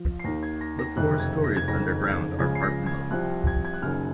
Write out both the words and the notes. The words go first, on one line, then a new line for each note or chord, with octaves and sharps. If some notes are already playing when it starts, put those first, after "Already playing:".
The four stories underground are parking levels.
Already playing: F3
C7
D#2 D#3 A#6
G#6
A#6
A#6
F#1 F2 C3 D#3 F#6
F#6
G#6
A#6
G#6
F#1 F2 D#3 A#6
G#6
C#2 C#3 F3 G#6
C7
A#6
G#6
C2 C3 F3 F#6
G#6
G#6
F#6
F#1 F#2 D#3 F6